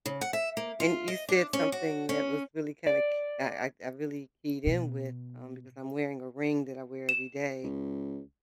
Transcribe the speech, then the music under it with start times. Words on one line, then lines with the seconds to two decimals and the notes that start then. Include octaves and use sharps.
And you said something that was really kinda k I I I really keyed in with, um, because I'm wearing a ring that I wear every day.
0.06 C#3
0.21 F#5
0.33 E5
0.57 A#3
0.80 F4
1.08 D#5
1.29 D4
1.53 C#4
1.72 F#4
2.09 C#4
2.87 D5
4.67 B2
7.09 E7
7.63 C#2